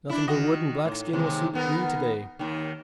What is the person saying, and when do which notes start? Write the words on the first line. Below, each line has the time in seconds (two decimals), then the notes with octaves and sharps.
"Nothing but wood and black skin will suit me to-day!"
0.09 D4 E4
0.28 D#3 F#4 D#5
0.85 A2
1.13 D#2 C3 G#3
1.54 D#3 B3 A#4
2.39 D#2 D#3